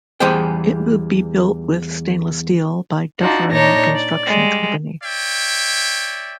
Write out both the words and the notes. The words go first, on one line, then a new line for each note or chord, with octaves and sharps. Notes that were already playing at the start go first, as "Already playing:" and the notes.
It will be built with stainless steel by Dufferin Construction Company.
E2 E3 G3 G#4 C5 G5
D4 D#4 F4 F#4
A#2 D4 D#4 C#5 A#6
D5
G3 G#3
C#5 D5 E5 G5